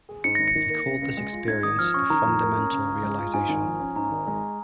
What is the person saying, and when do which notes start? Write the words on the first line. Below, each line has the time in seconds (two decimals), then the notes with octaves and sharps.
He called this experience the "Fundamental Realization".
0.09 G#4
0.24 G#2 C#7
0.35 G#1 A#6
0.48 C#7
0.55 D#3
0.70 A#3
0.86 C#3
1.02 C#2
1.17 G#3
1.33 F4
1.47 G#2 G#6
1.63 G#1 D#6
1.79 F3 F6
1.94 C#4 C#6
2.10 D#3 A#5
2.25 F2
2.41 A#3
2.56 C#4
2.72 C#3
2.88 C#2
3.03 G#3
3.19 F4
3.34 G#2 G#5
3.49 G#1
3.65 F3
3.80 C#4
3.96 G#2 A#5
4.11 G#1
4.27 G#3